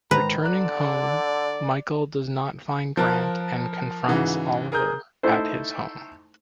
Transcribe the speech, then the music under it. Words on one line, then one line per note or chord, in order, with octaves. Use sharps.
Returning home, Michael does not find Grant and confronts Oliver at his home.
G#2 D#3 B4 C5 A#5
D3 D5 A#5 F#6
F3 A#4 A5 F#6
G#2 C#3 E3 F#4
G#4 A#4 A#5 D#6 G6
A3 D#4 E4 A4 C5